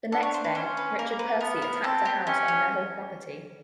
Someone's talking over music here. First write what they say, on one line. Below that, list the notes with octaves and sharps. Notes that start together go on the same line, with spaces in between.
The next day, Richard Percy attacked a house on Neville property.
D4 A4
C#5
C5
B4
C#4 C5
B4
A#3 A#4
B4
B3 A#4
A#4
C4 A4
G4
C#4 G4
G4